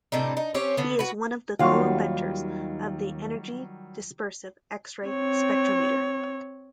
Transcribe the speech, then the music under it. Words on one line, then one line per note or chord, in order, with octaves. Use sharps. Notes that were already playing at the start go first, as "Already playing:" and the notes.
He is one of the co-inventors of the Energy dispersive X-ray spectrometer.
A2 C3 D4 D#4
D#4
C4 C#4 G4 C#5
D3 B3
F#4 B4
D#2 D#3 F#3 G3 F4 F#4 F5
C4 C#5